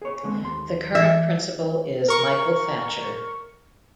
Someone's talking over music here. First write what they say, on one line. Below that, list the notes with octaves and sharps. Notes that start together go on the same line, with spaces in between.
The current principal is Michael Thatcher.
G#4 C#5
D3 G#3 C4
D#2 C6
E3 D5 E5
A#4 C#6